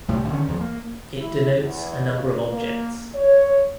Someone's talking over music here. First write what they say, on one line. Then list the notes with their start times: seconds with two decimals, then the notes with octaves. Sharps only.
It denotes a number of objects.
0.08 C2 A2 G3
0.29 D3 D#3 A#3 C#4
0.48 E2 F3
0.61 A#3
1.18 E4
1.59 E2
2.13 C#3
2.49 A#3
3.15 C#5